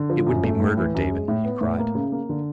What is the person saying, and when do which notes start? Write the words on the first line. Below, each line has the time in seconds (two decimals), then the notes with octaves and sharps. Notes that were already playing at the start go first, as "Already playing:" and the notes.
"It would be murder, David," he cried.
Already playing: D3
0.10 F3
0.27 F#2
0.43 A3
0.60 A2
0.77 E3
0.95 F#2
1.11 G#3
1.28 A2
1.44 B3
1.61 A2
1.79 A#3
1.95 C#3
2.12 A#3
2.29 D3